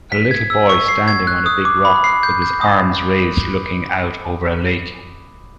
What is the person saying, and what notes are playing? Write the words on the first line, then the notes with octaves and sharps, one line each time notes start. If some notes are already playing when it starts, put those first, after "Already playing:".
A little boy standing on a big rock with his arms raised looking out over a lake.
B6
G#6
E6
C#6
C7
G#6
F#6
D#6
D6
B5
C7
G6
G6
D#6